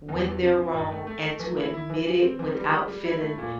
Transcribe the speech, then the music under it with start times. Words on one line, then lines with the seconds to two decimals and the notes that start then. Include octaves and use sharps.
when they're wrong and to admit it without feeling,
0.08 E2
0.25 E3
0.42 C3
0.58 F3
0.74 G2
0.91 A3
1.07 A3
1.24 A3
1.39 E3
1.57 E4
1.73 E4
1.90 E3
2.06 E3
2.22 C4
2.39 E3
2.55 G3
2.72 G3
2.88 G3
3.05 E4
3.21 A3
3.38 A#2